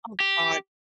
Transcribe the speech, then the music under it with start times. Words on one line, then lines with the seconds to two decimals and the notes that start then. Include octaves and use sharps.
Oh god,
0.20 G4